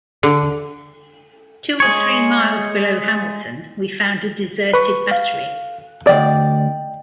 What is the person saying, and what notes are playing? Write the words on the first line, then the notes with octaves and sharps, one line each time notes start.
Two or three miles below Hamilton we found a deserted battery.
D3
G#3 G#4 C#5
B4 C#6
F5
D2 C3 D5 D#5 G5